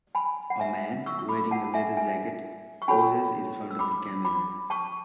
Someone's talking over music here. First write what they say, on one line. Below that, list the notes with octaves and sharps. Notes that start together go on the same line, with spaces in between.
A man wearing a leather jacket poses in front of the camera.
G#5 B5
F#5
E5 G#5
C#6 E6
C#6
B5 D6
F#5 A5
E5 G#5
E5 G#5
C#6
C#4 F#4 A4 C#5 G#5 B5
E6
B5 D6
B5 D6
A5 C#6